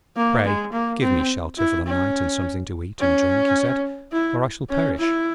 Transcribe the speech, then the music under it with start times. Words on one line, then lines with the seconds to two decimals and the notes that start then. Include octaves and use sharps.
'Pray give me shelter for the night, and something to eat and drink,' he said, 'or I shall perish.'
0.16 A#3
0.45 G#3
0.72 A#3
1.02 C4
1.58 E4
1.86 C#4
3.00 C#4
4.12 E4
4.69 C#4
4.97 E4